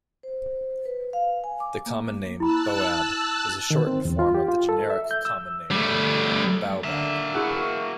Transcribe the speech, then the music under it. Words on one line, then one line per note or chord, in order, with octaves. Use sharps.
The common name "boab" is a shortened form of the generic common name "baobab".
C5
B4
F5
G#5
D6
A#3
E4 A5 B5 E6 F#6
D#3
C4
E2
F4
G4
F4
A4
E5
G6
E6
G3 A3
D3 A#3 E5
E4 F#4 G#4 F#5